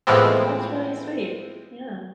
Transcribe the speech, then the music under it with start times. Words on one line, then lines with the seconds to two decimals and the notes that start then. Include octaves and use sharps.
That's really sweet, yeah.
0.07 A2 E3 F3 G#3 B3 C4